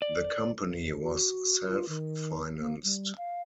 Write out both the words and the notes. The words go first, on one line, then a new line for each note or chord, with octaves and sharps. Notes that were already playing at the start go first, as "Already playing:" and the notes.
The company was self-financed.
D5
F#4
F4
D#3
A#3
G3
F5